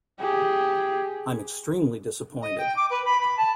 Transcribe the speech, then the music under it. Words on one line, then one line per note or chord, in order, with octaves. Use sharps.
I'm extremely disappointed.
G4 G#4
D#5
G5
D6
B4
B5
B5
A5